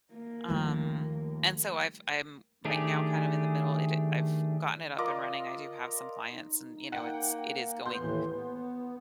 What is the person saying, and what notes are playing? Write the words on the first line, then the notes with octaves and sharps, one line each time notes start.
um, and so, I've I'm right now kind of in the middle it I've gotten it up and running. I do have some clients and, you know, it's it is going
A#3
D#2 F3 G3 A3
D#3 A3 D4 G4 G#4
F4 A#4 D5 D#5
D#4
A#3 F#5 G5
B3 F#4 C6 G6
D#2 A2 E3 B4
B3